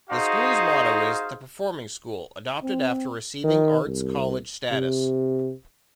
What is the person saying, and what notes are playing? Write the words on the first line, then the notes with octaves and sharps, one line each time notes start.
The school's motto is "The Performing School", adopted after receiving Arts College status.
D#4 F#4 G#4 C5 F5
C4
D#3
C2
C3